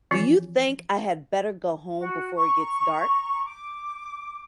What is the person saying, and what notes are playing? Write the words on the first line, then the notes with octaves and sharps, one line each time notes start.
Do you think I had better go home before it gets dark?
E3 F3 C4 F4
F#4
A#5 C#6
D6